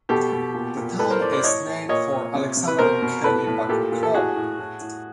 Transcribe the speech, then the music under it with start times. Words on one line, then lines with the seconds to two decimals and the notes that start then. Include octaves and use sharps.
The town is named for Alexander Kelly McClure.
0.09 B2 G4 A4
0.32 B2
0.54 A#2
0.77 A#2
0.99 A2 A4 B4
1.10 A#4 C5
1.21 A2 C5 D5
1.33 C5 D5
1.44 A2 C#5 D#5
1.67 A2
1.89 A#2 C#5 D#5
2.12 A#2
2.35 C3
2.57 C3
2.67 B4
2.79 B2 A#4 C5
3.02 B2
3.24 A2 A4 B4
3.47 A2
3.69 A#2 G4 A4
3.92 A#2
4.03 A4
4.14 A2 F#4 G#4
4.36 A2
4.59 A2
4.81 A2